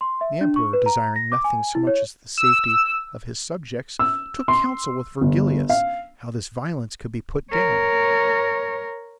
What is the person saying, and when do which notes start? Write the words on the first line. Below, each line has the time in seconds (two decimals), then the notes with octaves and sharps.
The emperor, desiring nothing so much as the safety of his subjects, took counsel with Virgilius how this violence could be put down.
0.01 C6
0.21 E5
0.41 D4
0.56 C#6
0.73 B4
0.86 A#5
1.16 A#6
1.32 D6
1.44 G#5
1.75 E4
1.87 C#5
2.38 E6
3.99 E6
4.48 C6
5.21 G1
5.69 F5
7.51 A#4 C#5